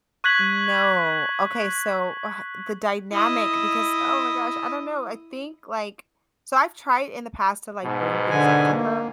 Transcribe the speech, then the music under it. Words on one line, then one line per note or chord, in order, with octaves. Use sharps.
No. Okay. So, uh, the dynamic because oh my gosh. I don't know. I think, like so I've tried in the past to, like, bring things up to her,
C#6 F#6 G#6 B6 F#7
E4 D#5
G#2 B2
D3 G#5
A#3